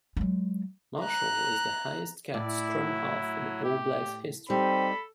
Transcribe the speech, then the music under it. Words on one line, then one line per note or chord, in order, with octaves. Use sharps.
Marshall is the highest capped scrum half in All Blacks history.
F#3 G#3
A#5 F#6
A2 E4 D5
F#3
G4
G3 C4 D#4 A4 B5